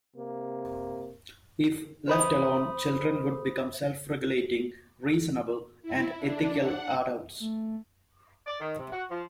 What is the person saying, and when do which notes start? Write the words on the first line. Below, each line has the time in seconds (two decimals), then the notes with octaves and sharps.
If left alone, children would become self-regulating, reasonable and ethical adults.
0.16 C3 A#3
2.08 C5 B5 D#6
5.82 E4
6.17 D4
6.56 F#5
7.40 A3
8.47 D5
8.60 D#3
8.79 C3
8.93 F#4
9.11 F3